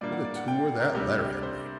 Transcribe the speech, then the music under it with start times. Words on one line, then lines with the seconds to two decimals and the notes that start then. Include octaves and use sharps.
What a tour that letter had made!
0.01 A#2 G3 A#3 D4 D5
0.12 F#5
0.25 D5
0.36 F#5
0.48 G5
0.80 A#4
0.95 C3 G3 D4 G4
1.19 G4
1.37 D5
1.43 C5